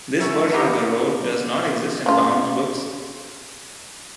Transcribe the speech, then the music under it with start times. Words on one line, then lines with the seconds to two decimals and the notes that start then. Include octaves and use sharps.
This version of the road does not exist in Baum's books.
0.20 F#3 A3 C#4
0.52 B3 D#4 G4 A#5
2.06 C#3 F4